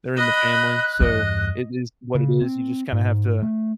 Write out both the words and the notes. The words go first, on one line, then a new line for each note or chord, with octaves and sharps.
they’re in the family, so it is what it is, you just kinda have to
D#5 B5 F#6
E2 G2 D#5
C#3
C4
G#2
A3